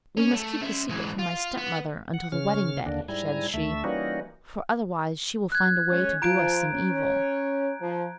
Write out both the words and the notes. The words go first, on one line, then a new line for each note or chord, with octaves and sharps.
'We must keep the secret from my step-mother until the wedding-day,' said she, 'for otherwise she will find a way to do us some evil.'
C#4
A3
C#4 E5
G#2 E3
F4
B3
F#5
C#3 C#4 F6
D#2 D3 A#3 D4
G#2 G3 E4 G#5 A#5
D2 A3 E5
E3 G3 A#3 C#4 D#4 F#4
F#6 G#6
G#3 C#4
F3 F4 A#5 G6 D7
C#4
F3